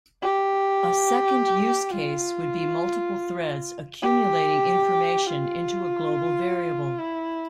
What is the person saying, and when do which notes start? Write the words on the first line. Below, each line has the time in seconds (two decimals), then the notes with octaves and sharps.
A second use case would be multiple threads accumulating information into a global variable.
0.22 G4
1.91 F4
4.02 G4
5.29 F4
6.99 E4